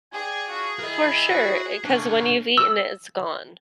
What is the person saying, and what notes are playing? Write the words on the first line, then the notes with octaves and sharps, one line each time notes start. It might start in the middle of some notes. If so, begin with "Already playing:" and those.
For sure, eh 'cause when you've eaten it, it's gone.
G#4 D5 G5 G#5
D4 F4 F#4
E4 A#4 D#5
F#4
C#2 A#3 C#4 D4 C#5
E6